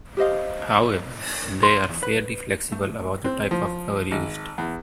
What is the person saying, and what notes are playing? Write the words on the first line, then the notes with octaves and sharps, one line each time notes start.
However, they are fairly flexible about the type of cover used.
G4 C5 D#5 F5
C6
E2
B4
A3
C4
F3
G#1
E2